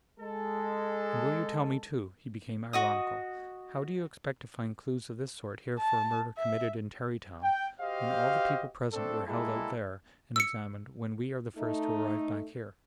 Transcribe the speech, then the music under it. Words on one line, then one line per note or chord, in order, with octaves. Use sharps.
And will you tell me, too"--he became ironical--"how do you expect to find clues of this sort here for a murder committed in Tarrytown when all the people present were held out there and examined, when we are the first to arrive back here?
G#3 A4
F#4 D#5 D#6
A5
E5
G5
F#4 G4 C5 D#5 F5
A3 C4 D4 A4
G3 G#3 A#3 E4 G#4 A4
E6 C#7
A3 D#4